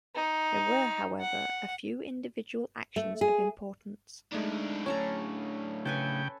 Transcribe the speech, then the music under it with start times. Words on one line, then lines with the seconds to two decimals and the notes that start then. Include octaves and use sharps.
There were however a few individual actions of importance.
0.15 D#4
1.21 F#5
2.96 A3
3.21 G#4
4.32 A2 G#3 A3 D4 D#4
4.86 C#4 A4 C#5 A#5
5.85 C#3 A4 B4 G5 G#5